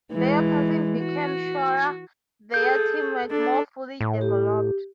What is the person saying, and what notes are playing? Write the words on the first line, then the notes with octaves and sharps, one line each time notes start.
Their passing became surer, their teamwork more fully developed.
E3 G#3
F#4
G#4 A4 G6
D4 A4
A2
G4